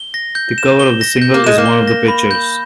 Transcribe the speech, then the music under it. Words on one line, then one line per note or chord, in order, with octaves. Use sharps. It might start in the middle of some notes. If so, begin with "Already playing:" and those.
The cover of the single is one of the pictures.
Already playing: G7
A#6
G6
E7
G7
A#6
G6
A#3
G#3 E7
A#3
G7
A#6
B5
G6